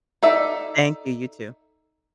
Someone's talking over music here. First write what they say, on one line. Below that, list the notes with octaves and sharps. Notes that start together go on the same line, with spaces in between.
Thank you, you too.
D#4 A4 D5 E5